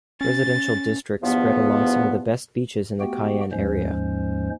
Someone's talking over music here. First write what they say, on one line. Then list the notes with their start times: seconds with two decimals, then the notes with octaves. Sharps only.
Residential districts spread along some of the best beaches in the Cayenne area.
0.21 C#4 A6
1.22 E2 G2 F3 B3
3.00 A3 B3 F#4 G4 G5
3.52 D#2 G#2 F3 G#3 C#4 C5